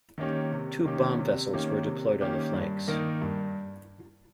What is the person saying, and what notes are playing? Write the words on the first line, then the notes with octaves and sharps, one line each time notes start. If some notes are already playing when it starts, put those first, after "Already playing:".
Two bomb-vessels were deployed on the flanks.
D#3 A#3 C#4 G4
C3
D#3 A#3 C#4 G4
C3
D#3 A#3 C#4 G4
C3
D#3 A#3 C#4 G4
G2
D#3 A#3 D#4 A#4
G2